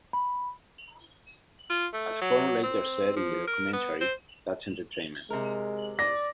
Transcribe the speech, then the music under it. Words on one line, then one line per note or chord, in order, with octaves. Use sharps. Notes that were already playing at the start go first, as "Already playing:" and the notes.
As Horne later said in the documentary That's Entertainment!
B5
F4
A3
F#3
C4
F3
A#4
B3
C5
C3 G#3 A#4
D5 A#6